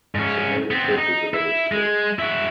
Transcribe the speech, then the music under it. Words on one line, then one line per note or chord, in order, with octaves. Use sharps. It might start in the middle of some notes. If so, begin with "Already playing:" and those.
Saint Mary's Church is the village church.
G#2 C#4
B3 C4
D#4
E4
G#3
E4 F#4